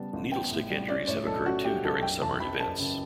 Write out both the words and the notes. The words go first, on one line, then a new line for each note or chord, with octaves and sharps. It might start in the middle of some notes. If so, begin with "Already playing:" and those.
Needle stick injuries have occurred too during Summer events.
Already playing: C#3 G3 B3 A5
A1
B3 G5
A2
G3
C#4 D5
A2 C#5
B1 A4
C#4 F#4
C#4 G4
B1 A4
F#1 G5
E2 A5
E2 B5
F#1 A5
C#3